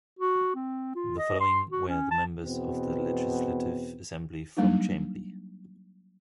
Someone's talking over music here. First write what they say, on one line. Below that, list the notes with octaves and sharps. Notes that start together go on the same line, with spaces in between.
The following were the members of the Legislative Assembly from Chambly.
F#4
C4
F4
D#5
C6
F#4
C#4
A5
E2 B2 B3 C4
F#3 G3 A#3 D4 D#4